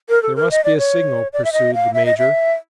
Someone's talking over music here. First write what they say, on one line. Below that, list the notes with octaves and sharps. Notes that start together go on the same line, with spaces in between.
"There must be a signal," pursued the major.
A#4
A4
A#4
D#5
D5
C#5
D5
E5
D#5
F5
E5
D#5
E5